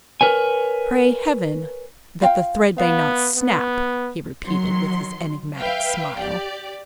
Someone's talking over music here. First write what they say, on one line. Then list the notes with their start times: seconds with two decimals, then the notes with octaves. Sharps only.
"Pray heaven that the thread may not snap," he repeated, with his enigmatic smile.
0.21 A#4 B4 C#5 G#5
2.21 F4 F5 G5
2.78 B3 F5
3.36 B3
4.43 D#3 F#3 C6
5.57 B4 E5 F5 G5
6.18 G4 D5